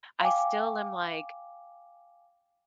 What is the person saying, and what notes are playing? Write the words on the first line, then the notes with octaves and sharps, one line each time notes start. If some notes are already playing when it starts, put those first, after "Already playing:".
I still am, like,
F5 G5 G#5 D6